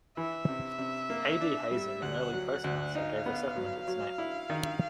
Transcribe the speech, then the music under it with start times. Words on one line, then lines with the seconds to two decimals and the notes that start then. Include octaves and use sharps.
A. D. Hazen, an early postmaster, gave the settlement its name.
0.17 E3 E5
0.48 C3
0.78 C3
1.10 A#3
1.40 D4
1.71 G3
2.02 D2 F#5
2.33 F#3
2.49 F#5
2.64 D2
2.95 D#4 F5
3.26 B3
3.56 F#3
3.88 F#3
4.18 E4
4.50 D#3